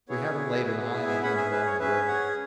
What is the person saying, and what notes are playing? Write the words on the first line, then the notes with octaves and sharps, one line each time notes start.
We haven't laid an eye on him, along the road.
B3 E4 G#4 C#5
B3 E4 G#4 B4 E5
E5 G#5
E5 G#5
C#4 G#4 F#5 B5
E5 G#5
B4 E5
C#5
C#4 G#4 B4 E5
C#5 F#5